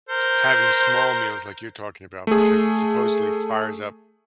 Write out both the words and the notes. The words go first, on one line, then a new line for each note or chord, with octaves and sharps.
having small meals like you're talking about because it, supposedly, fires up
A#4 C5
A3 G#4